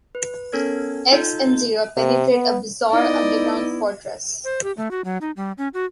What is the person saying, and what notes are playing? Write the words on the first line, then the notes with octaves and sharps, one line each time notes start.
X and Zero penetrate a bizarre underground fortress.
B4
B3 C#4 A4 A#4 C#5 G#6
D#4 F4 A4 G6
C3
B3
B3 D#4 E4 D5 D#5
C5
G4
A3
F#4
F#3
D#4
G3
C#4
F#4